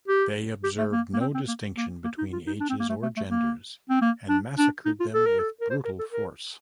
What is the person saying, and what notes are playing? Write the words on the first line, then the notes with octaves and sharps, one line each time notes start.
They observed no distinction between ages or genders, and massacred them with brutal force.
G4
G4
A3
A#3
A#3
C4
C4
A#3
A#3
A#3
D#4
F4
D#4
D4
C4
A#3
A3
A3
A3
A#3
C4
A#3
D4
D4
D#4
F4
A4
A#4
A4
A#4
C5
A#4
A4
A#4